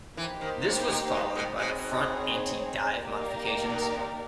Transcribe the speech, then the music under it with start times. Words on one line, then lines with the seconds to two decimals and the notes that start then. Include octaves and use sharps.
This was followed by the front anti-dive modifications.
0.17 E3 A#3 D#4 G4 C5
0.41 D#3
0.64 C#3
0.88 C3
1.12 B2
1.35 B2
1.59 B2 C4 D#4 G#4 C#5
1.78 B2
3.00 A#3 D#4 G4 A#4 D5
3.70 B2
3.94 C3